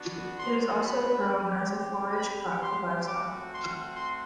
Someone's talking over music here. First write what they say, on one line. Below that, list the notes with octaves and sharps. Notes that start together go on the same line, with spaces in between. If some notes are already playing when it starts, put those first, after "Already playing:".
It is also grown as a forage crop for livestock.
Already playing: B3 D4 F#4
C6
B5
G3 C4 G4
B5
C6
A3 C4 F#4 D6
C6
C6